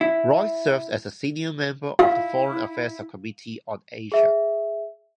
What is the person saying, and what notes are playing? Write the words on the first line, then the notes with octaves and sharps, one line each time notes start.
Royce serves as a senior member of the Foreign Affairs Subcommittee on Asia.
E4
E4 F4 F5
G#4 E5